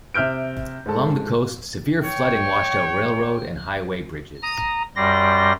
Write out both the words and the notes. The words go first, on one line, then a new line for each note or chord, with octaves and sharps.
Along the coast, severe flooding washed out railroad and highway bridges.
C3 E5 F6 G6 D7
G#2 A4
C#5 G5
A#5 D#6
F#2 G3 D5 C6 A#6